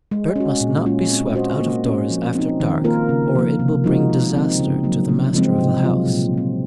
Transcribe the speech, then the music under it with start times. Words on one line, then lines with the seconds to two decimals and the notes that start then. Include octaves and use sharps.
Dirt must not be swept out of doors after dark, or it will bring disaster to the master of the house.
0.11 G#3
0.36 C#4 F#4
0.61 A#2
0.86 G#3 C#4 F4
1.11 C4
1.35 F#4 C5 D#5
1.61 A#3
1.86 C#4 F#4
2.10 F3
2.35 C4 D#4
2.60 D#3
2.84 A#3 F4 A#4
3.09 C#3
3.35 F3 A#3
3.59 C3
3.84 F3 G#3 D#4 F#4
4.10 C3
4.34 F3 C4 D#4
4.59 C#3
4.83 F#3 A#3
5.09 C#3
5.33 F3 G#3 C4
5.59 C3
5.84 F#3 C4 F4
6.07 A#2
6.33 F3 C4